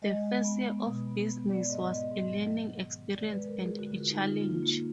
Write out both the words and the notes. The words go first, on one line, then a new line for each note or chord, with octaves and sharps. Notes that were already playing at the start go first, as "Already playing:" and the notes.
The first year of business was a learning experience and a challenge.
G#3 D#5
G#3
B3
B3
B2
B3
B3
B3 D5
G#2 D#5
B3 D#5
G#2
D#5
F#3
D#3
G#2
D#3
G#3 D5
B4
G#3
A#4
G#3 G#4
D3 F#4
F4
D3
D#4
D3 F4
A#3 F4
A#3